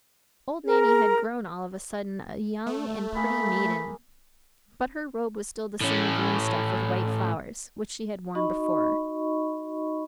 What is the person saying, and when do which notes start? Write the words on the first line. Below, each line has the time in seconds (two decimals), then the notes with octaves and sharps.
Old Nanny had grown all of a sudden a young and pretty maiden; but her robe was still the same green stuff with white flowers, which she had worn before.
0.65 G#4 A#4
2.67 A3
3.15 A#3 G#4 B5
5.81 A2 C#4
8.35 D#4 F#4 D#5 B5 C#6